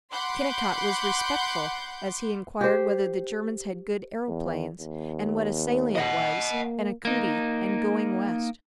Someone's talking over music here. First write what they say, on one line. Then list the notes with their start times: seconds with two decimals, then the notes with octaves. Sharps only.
Kennicott was respectful as he inquired whether the Germans had good aeroplanes, and what a salient was, and a cootie, and Going West.
0.12 F#5 B5 C6 D6 G6
2.61 G4 C5
4.28 E2
4.80 D#2
5.96 D#5 F#5
6.52 A#3
7.05 A#3 D#4